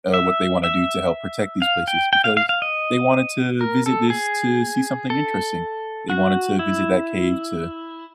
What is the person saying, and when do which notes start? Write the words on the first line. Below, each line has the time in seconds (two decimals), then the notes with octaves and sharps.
uh, what they wanna do to help protect these places, because they wanted to visit this to see something interesting, they wanted to visit that cave to
0.14 E5
0.64 E5
1.62 F5
1.88 G5
2.13 G5
2.24 F5
2.37 F5
2.49 F5
2.62 D#5
3.61 A#4
3.86 A4
4.10 G#4
5.10 A4
6.10 F#4
6.59 E4